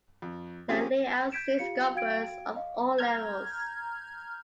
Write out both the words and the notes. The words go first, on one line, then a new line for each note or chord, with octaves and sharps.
The layout suits golfers of all levels.
F2
F3 C4 C#4 F4 G4 G#4
G6 G#6 B6 D7 E7
F4 G4 F5 C#7
F#4 F5 G5 G#6 D7
D#5 F5
A#5 F6 G6 G#6